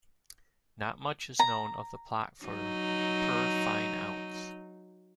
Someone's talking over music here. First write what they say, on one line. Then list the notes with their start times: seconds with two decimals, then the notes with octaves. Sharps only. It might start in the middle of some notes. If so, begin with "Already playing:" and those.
Not much is known of the plot for "Per Fine Ounce".
1.39 A#5
2.44 F#3 D#4